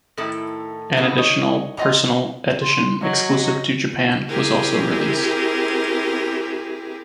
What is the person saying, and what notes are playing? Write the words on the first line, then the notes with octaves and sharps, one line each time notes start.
An additional "Personal" edition exclusive to Japan was also released.
A2 D#3 E4 A4
A2 C#3 A#3 B3 E4
D#4 C#5
F4 D#5 A#5
C6
F#3 F#4 D#5
C4 E4 G4 G#4 A#4